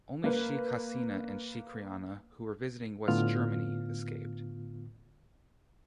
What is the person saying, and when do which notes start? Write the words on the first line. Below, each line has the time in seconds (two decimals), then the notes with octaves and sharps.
Only Sheikh Hasina and Sheikh Rehana, who were visiting West Germany, escaped.
0.24 A#3 B4
3.08 A2 D3 B3 F4 F6